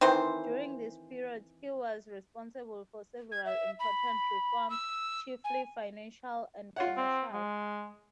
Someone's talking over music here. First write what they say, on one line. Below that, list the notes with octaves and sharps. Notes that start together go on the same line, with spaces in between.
During this period he was responsible for several important reforms, chiefly financial and commercial.
D#3 E3 C4 C5
G#6
E5
B5
E6
G#5
F4 C#5 F#5
C4
G#3